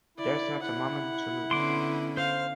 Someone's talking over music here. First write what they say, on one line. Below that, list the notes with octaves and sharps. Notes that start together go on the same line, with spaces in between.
There's not a moment to lose.
E4 D5
E4 F#5
D3 B3 C#4 C6 D6
C5 F5